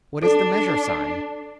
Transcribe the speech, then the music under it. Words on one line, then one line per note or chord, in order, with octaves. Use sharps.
"What is the measure-sign?"
D4 A4